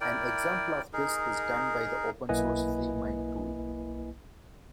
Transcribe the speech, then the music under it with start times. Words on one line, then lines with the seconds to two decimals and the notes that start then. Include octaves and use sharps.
An example of this is done by the Open Source FreeMind tool.
0.01 E4 A#4 D5 G5
0.93 D#4 G#4 A#4
2.29 B1 A#3 E4 B4 D#5 G#5